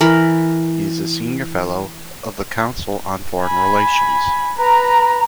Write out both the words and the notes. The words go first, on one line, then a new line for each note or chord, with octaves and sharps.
He is a Senior Fellow of the Council on Foreign Relations.
E3 A#4 B5
G#5 B5
B4 A#5